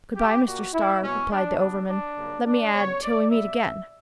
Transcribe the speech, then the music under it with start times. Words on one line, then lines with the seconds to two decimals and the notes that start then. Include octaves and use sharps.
"Good-by, Mr. Starr," replied the overman, "let me add, till we meet again!"
0.16 G4
0.44 A#2 A#3 F#4
0.73 E4
1.02 B2 F#3 B3 C#4
1.31 D4
1.58 C#3 G3 B3 D4
1.88 D4
2.16 F#2 C#3 G3 A#3
2.44 D4
2.73 C#3 G3 B3 C#5
3.02 D5
3.30 B2 G3 B3 E5